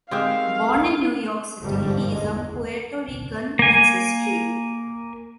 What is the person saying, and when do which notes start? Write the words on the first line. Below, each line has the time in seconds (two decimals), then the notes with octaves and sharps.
Born in New York City, he is of Puerto Rican ancestry.
0.11 D#3 G#3 C4 G4 E5 F5
1.63 G1 C2 G#2 F3 G3
2.12 E2 G#3
3.59 A#3 G#5